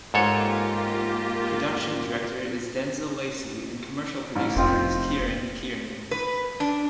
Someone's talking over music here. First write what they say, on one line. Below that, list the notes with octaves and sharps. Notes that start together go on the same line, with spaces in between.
Production Director is Denzil Lacey and Commercial Producer is Ciaran Kearney.
G#2 A#3 F4 G4 A4 C#5
A1
F1 C4 D#4 F4
B4
D4